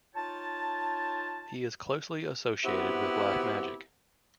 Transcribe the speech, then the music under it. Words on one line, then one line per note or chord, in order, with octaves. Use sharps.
He is closely associated with black magic.
D#4 F4 C#5 G5 A5
B3 C4 E4 F#4 G4